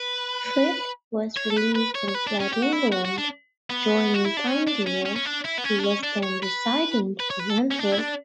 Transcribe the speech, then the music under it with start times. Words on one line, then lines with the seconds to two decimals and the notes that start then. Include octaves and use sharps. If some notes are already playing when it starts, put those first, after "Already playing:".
Frith was released and fled England, joining Tyndale who was then residing in Antwerp.
Already playing: B4
1.37 C#5
1.50 A4
1.56 B4
1.75 B4
1.95 C#5
2.08 C#5
2.14 B4
2.27 D4
2.40 C#4
2.53 G4
2.63 F#4
2.73 E4
2.92 F#4
3.05 F#4
3.18 D4
3.70 B3
4.14 F#4
4.26 E4
4.37 D4
4.47 C#4
4.68 D4
4.87 C#4
5.06 C#4
5.16 C#4
5.26 D4
5.45 E4
5.58 B3
5.65 C#4
5.80 D4
5.84 C#4
6.03 D4
6.23 C#5
6.43 B4
7.20 B4
7.30 C#5
7.40 B4
7.50 A4
7.71 C#4
7.79 D4
7.92 E4
7.98 D4